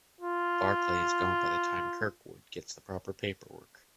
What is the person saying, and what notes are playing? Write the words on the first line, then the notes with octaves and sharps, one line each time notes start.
Barclay is gone by the time Kirkwood gets the proper paperwork.
F4